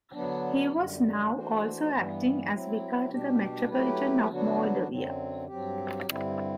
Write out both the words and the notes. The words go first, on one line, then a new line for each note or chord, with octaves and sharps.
He was now also acting as vicar to the Metropolitan of Moldavia.
D3 F#3 B3 D4
F#2 D3 G3
E3 A3 D4 F#4 C5
G2 E3 G3 B3
F#3 C4 E4
B2 G3 D4 G4
F#3 A3 E4 G4 B4
D3 F#3 B3 D4 F#4
F#2 D3 F#3 C4
G2 F#3 C4 G4
G2 D3 G3 C4 E4